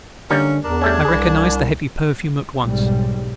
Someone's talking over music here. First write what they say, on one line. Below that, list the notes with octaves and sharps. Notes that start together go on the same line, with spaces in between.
I recognized the heavy perfume at once.
D3 G3 A#3 C#4 D#4
E2 D4 A#4
G3 A3 C#4 G#6
C2 G#4 B4
B1 G#2 G3